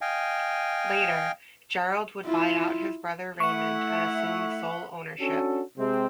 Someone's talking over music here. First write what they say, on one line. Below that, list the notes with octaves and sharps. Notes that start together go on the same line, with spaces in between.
Later, Gerald would buy out his brother Raymond and assume sole ownership.
D#5 F5 G5 G#5
E4 F4
A3 E4 E5 F#5 C#6
C#4 D4 F#4 A4
C3 G#3 C4